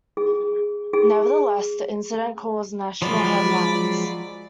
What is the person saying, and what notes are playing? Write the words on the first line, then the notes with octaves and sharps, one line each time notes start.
Nevertheless, the incident caused national headlines.
G#4
G#4
F3 F#3 G#3 D5 B5